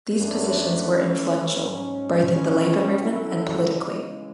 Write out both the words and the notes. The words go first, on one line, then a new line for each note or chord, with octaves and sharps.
These positions were influential both in the labour movement and politically.
F#2 E3 A3 D4
E3 A3 C#4
G#2 F#3 C#4
B2 G#3 C#4
F#3 C#4 E4 A4
C#3 E3 G#3